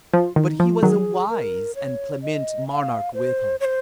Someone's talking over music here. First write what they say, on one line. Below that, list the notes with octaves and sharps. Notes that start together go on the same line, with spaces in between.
But he was a wise and clement monarch withal.
F3 F4
D#3 D#4 F4
F3 F4
D#3 F#3 G#4
A#4
C#5
D#5
F5
C5
C#5
C5